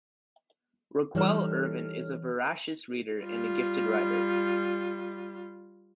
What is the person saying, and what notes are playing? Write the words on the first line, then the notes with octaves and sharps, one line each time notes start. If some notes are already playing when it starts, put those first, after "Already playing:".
Raquel Ervin is a voracious reader and a gifted writer.
E3 G3 D#4 A4 C#5 F6
G3 F4